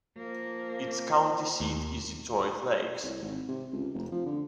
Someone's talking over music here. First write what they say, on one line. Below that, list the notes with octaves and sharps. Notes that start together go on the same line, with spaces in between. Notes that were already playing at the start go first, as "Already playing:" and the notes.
Its county seat is Detroit Lakes.
F3 A#3
D#2
C2
G#1
C3
C#2
F1
F3
D3